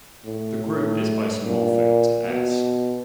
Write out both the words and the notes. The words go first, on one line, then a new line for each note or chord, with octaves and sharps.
This group is isomorphic to "S".
A2
A2
A#2
B2